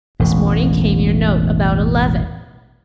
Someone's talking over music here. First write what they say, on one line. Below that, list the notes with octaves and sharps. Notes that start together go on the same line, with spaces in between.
This morning came your note, about eleven.
E1 A1